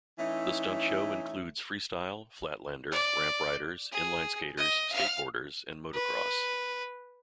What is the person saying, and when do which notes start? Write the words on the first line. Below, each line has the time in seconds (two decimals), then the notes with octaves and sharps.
The stunt show includes freestyle, flatlander, ramp riders, inline skaters, skateboarders and Motocross.
0.19 E3 A3 C#4 D#4
2.91 D5
3.92 G#4
4.57 D#5
4.92 F5 F6
5.94 B4